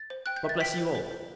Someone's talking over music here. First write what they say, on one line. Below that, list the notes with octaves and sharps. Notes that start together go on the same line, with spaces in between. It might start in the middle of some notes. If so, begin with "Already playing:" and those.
God bless you all!
Already playing: A6
C5
G5 F#6
G6
E5
A6
G5 B6
C5
C5
C5